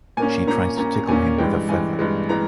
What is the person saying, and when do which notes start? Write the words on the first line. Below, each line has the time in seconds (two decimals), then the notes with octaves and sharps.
She tries to tickle him with a feather.
0.17 A#2 A#3 C#4 G#5
0.47 A#2 A#3 C#4 A#5
0.77 A#2 A#3 C#4 A#5
1.08 A#2 A#3 C#4 G#5
1.38 G2 E3 G#3 G5
1.68 G2 E3 G#3 G#5
1.99 G2 E3 G#3
2.29 E3 G#3 A#5